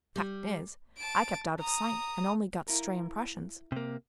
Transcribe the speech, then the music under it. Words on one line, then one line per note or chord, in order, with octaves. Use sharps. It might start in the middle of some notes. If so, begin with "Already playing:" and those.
Fact is--I kept out of sight and only got stray impressions.
G3
A5 D7
A#5 D#6
E4 F4 A#4
C3 A#3